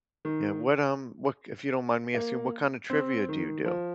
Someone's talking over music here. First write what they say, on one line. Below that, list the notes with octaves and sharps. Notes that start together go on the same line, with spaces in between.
Yeah, what, um what k if you don't mind me asking, what kinda trivia do you do?
D#3
A#3
C4
D#3
F3